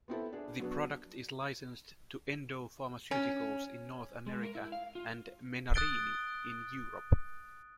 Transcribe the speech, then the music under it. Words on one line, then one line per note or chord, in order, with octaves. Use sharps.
The product is licensed to Endo Pharmaceuticals in North America and Menarini in Europe.
B3 C4 E4 A4
D4 G#4
F#3 B3 D4
C#4
G#3
A#4
E4
F5
F4
D#6 F#6 A6 D7 G7